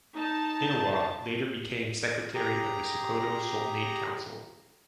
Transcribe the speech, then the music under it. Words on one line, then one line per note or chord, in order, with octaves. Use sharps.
Inuwa later became Secretary of the Sokoto Sultanate Council.
D#4 A5
G4 G#4 A#5